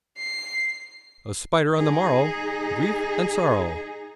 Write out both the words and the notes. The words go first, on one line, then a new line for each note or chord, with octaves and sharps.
"A spider on the morrow: grief and sorrow."
C7
D#4 G#4